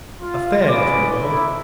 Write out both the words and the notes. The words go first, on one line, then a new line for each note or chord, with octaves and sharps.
A fair little world.
F4
G#3 C#4 B4 D5 D6
D#4 E4